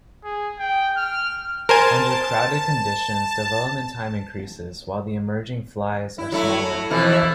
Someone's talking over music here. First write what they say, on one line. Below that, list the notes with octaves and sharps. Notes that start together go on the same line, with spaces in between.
Under crowded conditions, development time increases, while the emerging flies are smaller.
G#4
G5
F6
A#4 C5 G#5 A5
E4
F#3 A3 E4
F2 B2 E3
E5